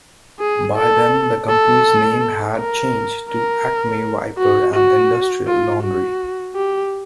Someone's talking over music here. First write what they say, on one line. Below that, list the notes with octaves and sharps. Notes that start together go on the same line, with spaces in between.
By then, the company's name had changed to Acme Wiper and Industrial Laundry.
G#4
A4
A4
A#4
A#4
F#4
F#4
F4
F#4
G4